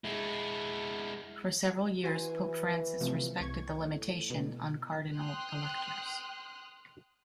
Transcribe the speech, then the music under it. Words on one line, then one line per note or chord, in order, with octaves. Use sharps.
For several years Pope Francis respected the limitation on cardinal electors.
G#3 E4
E3 F#4 C5 G#5
C3 F3 A3
C2 C#6 G#6
A2
B2
G5 C6 D#6 F6 F#6